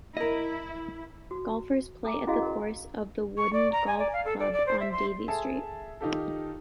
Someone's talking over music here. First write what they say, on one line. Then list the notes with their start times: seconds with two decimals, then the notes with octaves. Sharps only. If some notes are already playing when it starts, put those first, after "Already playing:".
Golfers play at the course of the Woodend Golf Club on Davy Street.
0.17 E4 A#4 D#5
1.31 F#4
2.05 A4 G#5 A#5 D6
2.27 C#4 E4 F#4 G#4 D#5 F5
2.42 A#4
3.37 C#6
3.53 D5
3.72 A#5
3.87 G#5
3.99 D5
4.13 F5
4.25 A4
4.40 D5
4.53 D5
4.67 C5
4.80 E5
4.92 C6
5.28 G#4 A4 E5 A5
6.01 D#3 D#4 F4 G4 A4